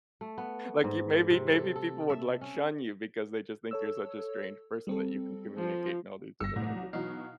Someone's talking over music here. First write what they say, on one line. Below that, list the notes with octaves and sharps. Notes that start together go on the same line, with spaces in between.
Like, you maybe maybe people would, like, shun you because they just think you're such a strange person that you can communicate in all these different languages.
A3
B3
G#2
C3
A4
A4
E5
C#4
A4 C#5 E6
G3 C4 A4
F3
G1 E6 A#6 C#7
C2 A2
F#3
B2 E3 F#3 D#4 F5